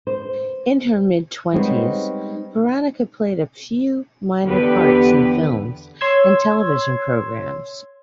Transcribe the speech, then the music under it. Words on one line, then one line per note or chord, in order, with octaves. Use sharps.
In her mid-twenties, Veronica played a few minor parts in films and television programmes.
C5
G3 G#3 B3 C4 D#4 C#5
E2 D3 B3 G4 B4
C#5 C6 E6 G#6